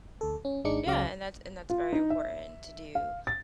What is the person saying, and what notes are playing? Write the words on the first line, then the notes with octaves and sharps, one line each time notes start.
Yeah, and that's and that's very important to do.
D2 A4
C#4
G#1 G#3 D4 D#4 D6 C#7
C#2 C#3 F#3 F5 D6
F4
D#4
E5
F5
A6